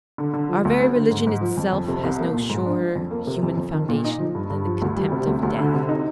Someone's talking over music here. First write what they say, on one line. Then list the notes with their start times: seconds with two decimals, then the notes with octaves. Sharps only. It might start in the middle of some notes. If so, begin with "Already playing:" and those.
Our very religion itself has no surer human foundation than the contempt of death.
0.18 D3
0.34 D3
0.49 F3
0.65 D2
0.80 C4
0.96 D3
1.11 G#2
1.27 G#2
1.41 F3
1.57 F2
1.72 F2
1.88 C3
2.04 C2
2.20 A#3
2.34 A#2
2.49 G#2
2.66 D4
2.81 F3
2.95 F2
3.11 A#3
3.27 C3
3.43 F2
3.57 F2
3.73 D#3
3.89 A#2
4.04 D#4
4.19 F3
4.35 G2
4.50 G2
4.66 F3
4.82 D2
4.96 G3
5.12 C3
5.27 D2
5.43 D2
5.59 D3
5.74 C3
5.89 D#4